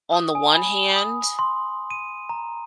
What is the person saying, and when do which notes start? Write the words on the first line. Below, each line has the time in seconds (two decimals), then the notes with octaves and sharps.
on the one hand
0.13 D#6
0.35 G#5
0.55 B5
0.96 D#6
1.39 C6
1.90 D#7
2.29 A#5